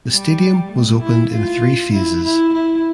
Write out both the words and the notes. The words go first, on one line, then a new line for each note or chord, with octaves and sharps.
The stadium was opened in three phases.
G3
A3
E4
F4
E4
E4
E4